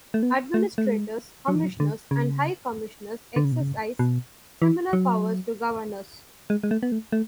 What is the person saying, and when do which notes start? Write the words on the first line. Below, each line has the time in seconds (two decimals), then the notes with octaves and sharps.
Administrators, Commissioners and High Commissioners exercise similar powers to Governors.
0.14 A3
0.23 B3
0.54 A3
0.78 A3
0.86 G#3
1.48 F#3
1.55 E3
1.64 F#3
1.80 D3
2.11 C#3
3.36 D3
3.45 C#3
3.52 B2
3.61 C#3
3.99 B2
4.62 E3
4.93 F#3
6.50 G#3
6.63 G#3
6.71 A3
6.83 B3
6.92 A3
7.12 A3